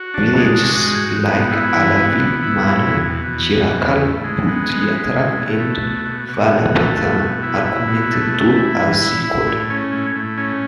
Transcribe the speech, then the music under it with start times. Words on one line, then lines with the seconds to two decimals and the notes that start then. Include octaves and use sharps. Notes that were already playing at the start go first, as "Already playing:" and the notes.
Villages like Alavil, Manal, Chirakkal, Puthiyatheru and Valapattanam are connected to Azhikode.
Already playing: F#4
0.14 D4
0.38 G#3
0.60 F#4
0.83 G#2
1.05 G#2
1.28 B3
1.51 E4
1.74 E3
1.97 B3
2.20 B3
2.42 E4
2.65 F#3
2.88 E2
3.10 B2
3.33 E2
3.56 B2
3.79 E2
4.01 A2
4.24 G#3
4.47 B3
4.70 G#3
4.92 G#3
5.15 A2
5.38 B2
5.60 A3
5.83 B2
6.05 B2
6.29 B2
6.51 B2
6.75 A3
6.98 B2
7.19 B2
7.43 E4
7.66 E4
7.87 B2
8.11 A3
8.34 A3
8.56 E4
8.80 E3
9.01 E4
9.24 E4
9.47 A2
9.70 C#4
9.93 A2
10.16 A2
10.38 C#4